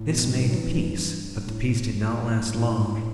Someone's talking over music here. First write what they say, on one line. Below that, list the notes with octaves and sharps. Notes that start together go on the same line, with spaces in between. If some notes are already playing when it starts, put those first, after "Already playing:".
This made peace, but the peace did not last long.
Already playing: A2
B2
G2
D#3
F#3
E3
G2
A2
A2
A2
G2
A2